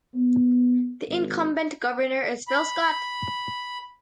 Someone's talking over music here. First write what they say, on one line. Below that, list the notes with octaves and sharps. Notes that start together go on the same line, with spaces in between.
The incumbent governor is Phil Scott.
B3
G#1
B5